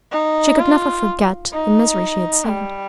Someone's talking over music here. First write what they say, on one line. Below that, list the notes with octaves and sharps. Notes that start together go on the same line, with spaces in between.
She could never forget the misery she had seen.
D#4
F4
D#4
G3